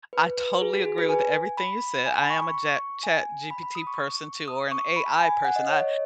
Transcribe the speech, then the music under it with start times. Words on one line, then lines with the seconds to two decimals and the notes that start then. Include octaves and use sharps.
I totally agree with everything you said. I am a ja ChatGPT person, too, or an AI person. I
0.13 B4
0.37 B4
0.61 G#4
0.74 F#4
0.85 G#4
0.98 B4
1.09 G#5
1.57 B5
2.06 G#5
2.18 B5
2.30 C#6
2.42 C#6
2.54 C#6
3.03 G#5
3.51 B5
3.63 B5
3.75 D#6
3.87 C#6
4.48 D#6
4.72 C#6
4.96 B5
5.20 G#5
5.45 F#5
5.56 D#5
5.69 C#5
5.80 D#5